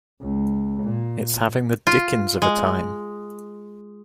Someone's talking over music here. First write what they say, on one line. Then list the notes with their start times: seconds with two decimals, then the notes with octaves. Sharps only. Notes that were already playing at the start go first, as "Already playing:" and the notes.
It's having the dickens of a time.
0.21 C#2
0.83 A#2
1.87 F4
2.42 G#3